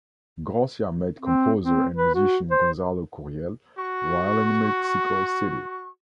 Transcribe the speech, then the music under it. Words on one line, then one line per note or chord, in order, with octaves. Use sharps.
Garcia met composer and musician Gonzalo Curiel while in Mexico City.
C4
C4
B4
F#4
C5
F#4 C#6